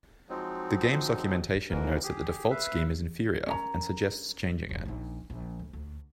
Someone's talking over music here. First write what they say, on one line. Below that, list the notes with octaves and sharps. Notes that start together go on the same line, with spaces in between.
The game's documentation notes that the default scheme is inferior, and suggests changing it.
F3 F#3 G#3 C4 D#4
F2 G#2 E3 A#4
G4 G#4
B4 E5 F5
C#4 A#4 A#5
E1 G2
A#1 D#4
A#1
D2
D2